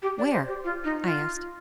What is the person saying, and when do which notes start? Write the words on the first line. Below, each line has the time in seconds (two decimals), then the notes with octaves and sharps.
"Where?" I asked.
0.02 G4
0.18 D5
0.33 C5
0.48 G4
0.64 F4
0.84 D#4
1.05 F4